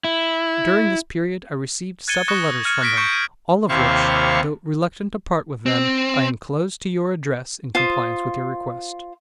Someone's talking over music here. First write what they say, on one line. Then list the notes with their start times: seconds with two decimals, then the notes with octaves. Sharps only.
During this period I received several letters from her, all of which, though reluctant to part with them, I enclose to your address in compliance with your request.
0.04 E4
2.08 F#6 G#6 A6 C#7 D#7 G7
2.28 C#6 D#6 F#6 A#6 C#7 G7
2.65 F6 G#6 C#7 D#7
2.81 F#6 A#6 B6 D7
2.96 C#6 G6 C#7
3.13 D#7
3.69 D#2 C3 E4 C5 F5 C#6
5.66 C4
7.75 F4 C5 D#6